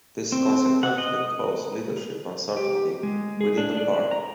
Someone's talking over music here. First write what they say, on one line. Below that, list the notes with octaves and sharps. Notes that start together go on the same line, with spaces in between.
This consequently caused leadership uncertainty within the party.
C4
F#5
D#5
G4
G#3
G#4
D4
D5
A#5